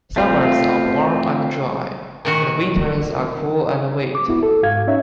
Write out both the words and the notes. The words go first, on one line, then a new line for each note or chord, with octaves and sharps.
Summers are warm and dry, and winters are cool and wet.
A3 C4 F4
A#2 D#3 F#4
D6
B3 E4 F#4
A4
G#2 F#4 F5 G#6
C#4 D#4 C#5 E5